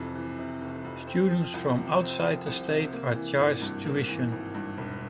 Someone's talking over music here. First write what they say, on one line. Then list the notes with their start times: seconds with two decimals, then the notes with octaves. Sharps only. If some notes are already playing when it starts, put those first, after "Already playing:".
Students from outside the state are charged tuition.
Already playing: F1 F2 C3 E3
0.15 E3
0.39 C3
0.62 F1
0.84 F2
1.07 C4
1.31 F3
1.54 C2
1.77 C3
2.01 C4
2.23 F3
2.47 C2
2.69 C3
2.93 A#3
3.15 E3
3.39 G#1
3.62 G2
3.85 A#3
4.08 E3
4.32 G#1
4.55 G2
4.78 E1